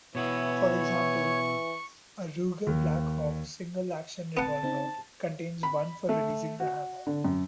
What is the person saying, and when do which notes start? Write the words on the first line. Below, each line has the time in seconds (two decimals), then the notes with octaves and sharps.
For example, a Ruger Blackhawk single-action revolver contains one for releasing the hammer.
0.15 B2 E3 B3 E4 C#5
0.83 C#6
2.67 D#2
4.37 B3 C4 F#5 A5
4.63 C#3 C4 D#4 C5
5.63 B5
6.09 A3
6.60 F#4
7.07 D3
7.24 F#2